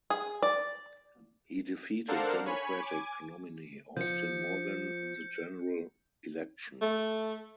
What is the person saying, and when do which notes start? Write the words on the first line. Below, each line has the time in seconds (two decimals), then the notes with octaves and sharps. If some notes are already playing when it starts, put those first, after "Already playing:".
He defeated Democratic nominee Austin Morgan in the general election.
0.10 G#4
0.43 D5
2.08 D4 A4 A#4 C5 F5 F#5
2.46 C#5 G#5 B5
2.82 G#5 D6
3.97 F3 G6 C#7
6.82 A3